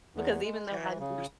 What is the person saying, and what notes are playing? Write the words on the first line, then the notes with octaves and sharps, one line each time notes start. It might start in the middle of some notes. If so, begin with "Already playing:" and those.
because even though I used
E2
G#3
E3
C#3